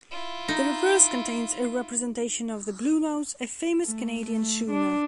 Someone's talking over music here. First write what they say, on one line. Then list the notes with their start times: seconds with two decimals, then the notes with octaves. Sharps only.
The reverse contains a representation of the "Bluenose", a famous Canadian schooner.
0.11 E4 F4
0.48 D#4
3.84 A3
4.24 A3
4.71 D4